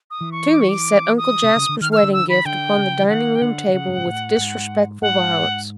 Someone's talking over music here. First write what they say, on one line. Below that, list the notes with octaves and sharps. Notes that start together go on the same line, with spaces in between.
Toomey set Uncle Jasper's wedding gift upon the dining room table with disrespectful violence.
D#6
E3
C#6
D6
C#6
D6
D#6
C3
C#3
D3
D#3 F6
F6
E6
D3
E3 E6
D#3
B5
D3 G5
C#3
E3
D#3 F#5
G5
D3 F#5
D3
C#3
G2
G#2
A2
G#2
G#2 F#5